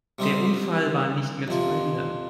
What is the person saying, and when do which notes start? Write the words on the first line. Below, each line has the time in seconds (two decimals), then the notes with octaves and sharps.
Der Unfall war nicht mehr zu verhindern.
0.19 C3 G3 C4 D#4
1.48 F2 C3 F3